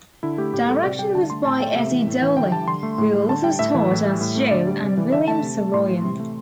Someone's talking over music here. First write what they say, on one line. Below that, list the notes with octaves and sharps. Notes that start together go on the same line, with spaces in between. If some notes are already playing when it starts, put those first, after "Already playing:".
Direction was by Eddie Dowling, who also starred as Joe, and William Saroyan.
D3 E4
A3 G4
A2 G4
G3 A4
C3 D5
G3 G5
D3 A5
A3 C6
A2 A5
A3 G5
C3 E5
E3
A2
E3
D3 G5
G3 A5
D3 C6
A3
A2
G3
D3 A5
G3 G5
A2 E5
E3
A2
G3
A2
A3
D3 D5
G3
C3
E3
D3 E5
A3 A5
C3
A3
A2 C6
E3
C3
A3